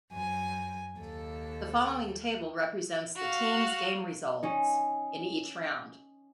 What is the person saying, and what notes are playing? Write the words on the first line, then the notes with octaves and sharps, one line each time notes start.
The following table represents the teams game results in each round.
F#2 G#5
D#2 A4
F#4 F5
C#4 D#4